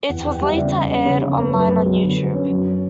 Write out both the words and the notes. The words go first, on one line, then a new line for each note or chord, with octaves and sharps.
It was later aired online on YouTube.
E2 F#5
G5
E2
F#5
G3 E5
C#3 D5
C#3
C#4
C#3 C#5
C#3
B3
F#2 B4
B3
F#3
D3
D3
C#4
F#2